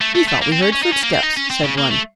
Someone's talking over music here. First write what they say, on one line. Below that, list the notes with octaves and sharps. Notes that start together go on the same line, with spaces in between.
"We thought we heard footsteps," said one.
A3
A3
A3
A#3
C4
C#4
C#4
D#4
C#4
A#3
C4
D#4
C#4
C4
C#3
A#3
A3